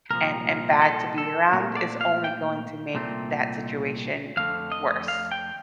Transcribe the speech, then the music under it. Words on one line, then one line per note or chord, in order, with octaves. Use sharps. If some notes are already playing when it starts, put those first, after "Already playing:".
and and bad to be around is only going to make that situation worse.
C2 A#2 F3 A#4
A4
A4
A#2 A3 C4 A#4
D5
F5
G5
C2 A#2 A3 C4
F2 D3 A3 C4 F5
D#5
F5
G5